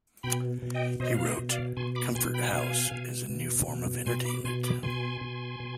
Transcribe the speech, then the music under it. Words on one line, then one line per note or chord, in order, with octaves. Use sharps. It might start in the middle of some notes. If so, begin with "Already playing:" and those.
He wrote: Comfort House is a new form of entertainment.
B2 G5 B5
B2
D#5 G5
B2 C5 D#5
F5
C5 D#5
B2
D5 F5
B2 G#5 C6
B5 D6
B2 G#5 C6
G5 B5
B2 F5 G#5
B2
B2
B2
B2 G#5 C6
B5 D6
B2 G#5 C6
B5 D6
B2 G#5 C6
B2
B2